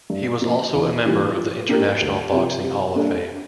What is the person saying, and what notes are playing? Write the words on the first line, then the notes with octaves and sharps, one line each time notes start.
He was also a member of the International Boxing Hall of Fame.
G2
F3 A#3
E2
E3 G3 A#3 F4
F3
A#3 D4 G4 A#4
D2
C3 F3
C3
G3 A#3 D4 A4